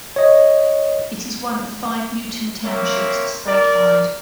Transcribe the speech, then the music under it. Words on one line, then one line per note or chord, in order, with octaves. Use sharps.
It is one of five Newton Townships statewide.
C#5 D#5
A#3 C4 A#4 C#5 E5
A#4 D5